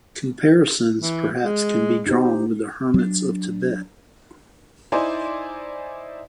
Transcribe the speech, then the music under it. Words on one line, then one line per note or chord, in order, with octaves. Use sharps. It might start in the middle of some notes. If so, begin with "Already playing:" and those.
Comparisons perhaps can be drawn with the hermits of Tibet.
E3
G#3
D#4 G4 C5
F#3 D4
D#4 E4 C5 D5 G#5